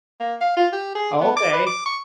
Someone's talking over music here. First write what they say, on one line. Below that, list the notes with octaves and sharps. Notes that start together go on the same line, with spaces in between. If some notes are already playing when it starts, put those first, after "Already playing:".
Oh, okay.
A#3
F5
F4
G4
G#4
B3
D6
B4
D6
C#6